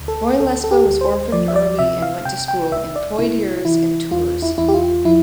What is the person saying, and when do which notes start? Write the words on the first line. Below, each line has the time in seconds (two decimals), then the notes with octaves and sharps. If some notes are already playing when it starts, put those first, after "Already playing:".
Boylesve was orphaned early and went to school in Poitiers and Tours.
Already playing: D2
0.08 A4
0.39 D2 A4
0.64 A4
0.71 G4
0.86 D2
1.01 C5
1.32 F3 D5
1.48 E5
1.56 D5
1.79 C3 E5
2.02 F5
2.25 C3 G5
2.48 G5
2.72 C2 E5
2.96 D5
3.18 C3 E4
3.65 E3 E4
4.11 E2 F4
4.42 E4
4.58 E2 E4
4.68 G4
4.74 F4
5.05 F3 E4